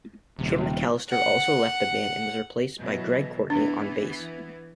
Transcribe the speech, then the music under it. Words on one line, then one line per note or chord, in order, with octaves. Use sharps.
Jim McAllister also left the band and was replaced by Greg Courtney on bass.
D#1 C3
F#5
B2 E3 F#3
E3 B3 D4